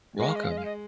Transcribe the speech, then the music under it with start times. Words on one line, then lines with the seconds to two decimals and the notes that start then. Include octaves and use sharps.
You're welcome.
0.20 G#3 D#5
0.28 F5
0.35 D#5
0.43 F5
0.51 D#5
0.58 F5
0.65 D#5